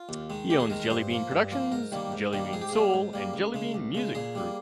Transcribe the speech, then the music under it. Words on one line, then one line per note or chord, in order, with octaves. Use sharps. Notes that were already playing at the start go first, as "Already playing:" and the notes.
He owns Jellybean Productions, Jellybean Soul and Jellybean Music Group.
Already playing: F4
D#2
D#3 G#3
D#2 G4
G#4
D#3 G#3 A#4
A#4
G2 C5
F3 A#3
G2
F3 A#3
G#2 A#4
D#3 G3 A#3
G#2
D#3 G3 A#3
G#2 G#4
G4
A#3 G#4
G3
G#2
G3 A#3
C#2
C#3 G#3
C#2
C#3 G#3
A#2 G#4
G3 A#3